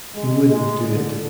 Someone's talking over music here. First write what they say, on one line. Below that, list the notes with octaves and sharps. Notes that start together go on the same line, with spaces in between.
He wouldn't do it.
G#3
G#3
D3